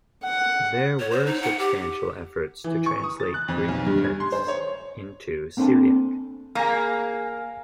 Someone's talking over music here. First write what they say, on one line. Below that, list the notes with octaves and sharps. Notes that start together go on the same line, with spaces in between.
There were substantial efforts to translate Greek texts into Syriac.
F#5
C#5
C5
D#4
F#5
G4
E3
C#6
D#6
A6
F#6
F2
B1
G2
G#6
C6
C5
C#5
A#3 C4 D4 A4 G#5 A5
A#3 G#4 F5 A#5 B5